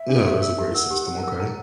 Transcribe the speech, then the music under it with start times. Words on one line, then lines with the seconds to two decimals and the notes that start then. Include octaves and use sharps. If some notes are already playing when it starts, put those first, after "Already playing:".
Yeah, that's a great system, okay.
Already playing: E5
0.09 D4
0.26 G4
0.42 A#4
0.58 G4
0.74 A#4 F#5
0.91 G4
1.07 G4
1.23 A#4
1.40 A#5